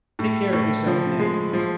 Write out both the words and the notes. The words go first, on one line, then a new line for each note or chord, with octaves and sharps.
"Take care of yourself, Ned."
A2
A2
F3
G#3
F3